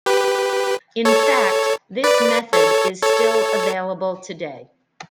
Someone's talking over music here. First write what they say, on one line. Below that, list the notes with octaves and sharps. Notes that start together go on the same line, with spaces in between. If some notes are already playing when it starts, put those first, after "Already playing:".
In fact, this method is still available today.
G4 B4
A4 C#5
B4 D5
A4 C#5
A4 C#5